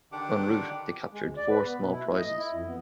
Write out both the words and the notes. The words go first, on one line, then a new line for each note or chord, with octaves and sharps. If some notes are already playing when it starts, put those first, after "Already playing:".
En route, they captured four small prizes.
D3 D#3 D4 G4 F#5 D6
G#3
D2
D5
B4
B3
B2
E4
A3
D#5
E4
F2
B3